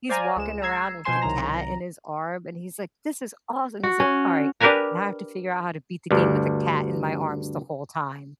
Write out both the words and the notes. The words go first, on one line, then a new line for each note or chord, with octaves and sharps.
he's walking around with the cat in his arm, and he's, like, "This is awesome." He's, like, "All right, now I have to figure out how to beat the game with a cat in my arms the whole time."
C5 D5 F5 G#5 A#5
C#2 G#3 E7
A#5 E6 G#6 C7
B2 F3 C5 G#5 C6 E7
C2 D#3 F#3 A#5 A#6
F#4
C#4
D4 G4 A#4 B4 G#5 A#5
D2 G2